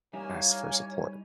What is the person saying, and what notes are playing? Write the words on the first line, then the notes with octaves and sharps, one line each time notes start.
ask for support."
G3 A#3 D#4 E4 C#5 G#5